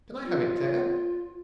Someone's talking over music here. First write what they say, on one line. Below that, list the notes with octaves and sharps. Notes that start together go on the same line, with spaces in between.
Can I have it, Claire?
F4